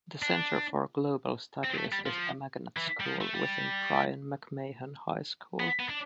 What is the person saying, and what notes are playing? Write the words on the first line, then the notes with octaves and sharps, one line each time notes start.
The Center for Global Studies is a magnet school within Brien McMahon High School.
D4
C4
A3
G3
F3
E3
G3
F3
A3
G3
B3
B3
D4